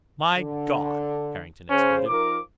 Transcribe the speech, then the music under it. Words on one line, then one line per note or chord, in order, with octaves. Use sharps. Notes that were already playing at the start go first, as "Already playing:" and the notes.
"My God!" Harrington exploded.
D3
C#3 C#4 C5
F3 D#4 A#4 D6